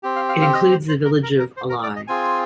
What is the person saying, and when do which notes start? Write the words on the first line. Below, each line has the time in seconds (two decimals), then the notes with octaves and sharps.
It includes the village of Ely.
0.03 C4 G4
0.16 F5
0.29 F5
0.41 F5
0.55 D#5
0.71 C5
0.88 C5
1.05 A#4
1.23 A#4
1.39 A#4
1.57 C5
1.69 A#4
1.83 D5
1.96 D#5
2.08 C4 F4 G#4 G#5